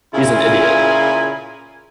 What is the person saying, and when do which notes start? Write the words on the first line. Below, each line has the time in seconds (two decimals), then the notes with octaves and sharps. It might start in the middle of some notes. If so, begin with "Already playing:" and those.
he's an idiot.
0.14 A#2 C#3 E4 F4 G#5